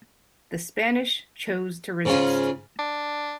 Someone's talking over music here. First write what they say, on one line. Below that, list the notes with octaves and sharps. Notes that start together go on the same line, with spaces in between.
The Spanish chose to resist.
G#2 C#3 C#4 F4 G#4
D4